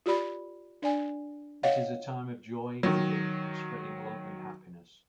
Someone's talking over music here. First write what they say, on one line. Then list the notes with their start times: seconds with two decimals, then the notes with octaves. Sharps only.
It is a time of joy, giving, and spreading love and happiness.
0.06 F4 G4 D5 B5
0.82 D4 D5 G#5
1.63 C#5 D#5 F5 F#5
2.83 D#3 F#3